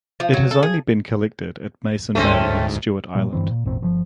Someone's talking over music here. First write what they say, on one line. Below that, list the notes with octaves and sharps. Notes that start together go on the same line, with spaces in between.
It has only been collected at Mason Bay at Stewart Island.
F3
F#3
A4
G#4
D2 G#2 A3 C4 C#4
A#2 F3 G3 A#3
G2 D3 E3 C4
A#2
G#1 E2 A#2 C4
G1 C3 F3